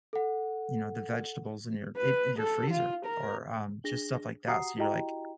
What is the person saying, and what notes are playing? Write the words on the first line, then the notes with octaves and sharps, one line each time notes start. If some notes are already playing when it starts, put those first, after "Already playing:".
you know, the vegetables in your if in your freezer or, um, just stuff like that, so you're like
A4 F#5
B4
A4
F4
A#4
D4 G#4 A#6 G7
F#4 G4 F#5 A#5 D#6 C7
E4 F#4 G4 D#5 G5 A#5